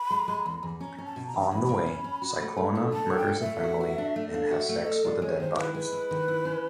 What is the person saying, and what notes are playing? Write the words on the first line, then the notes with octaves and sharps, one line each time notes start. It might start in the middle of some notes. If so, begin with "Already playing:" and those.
On the way, Cyclona murders a family and has sex with the dead bodies.
Already playing: B5
G#3
G#3
E2
E2
C#4 A#5
C#4
A5
B2
A#5
E2
A#5
E2 B5
B2
C#4
C#4
F#4
A3
A3
D4
A3 A5
D4 F#5
G5
A4
E5
A3
F#4
F#4
D4
A3
D4 F5
F#4
E5
A3
D#5
A4
G#3 D5
G#3 C#5
D#3 C5
E4 B4
G#3 B4
E4
D#3
E4
C#4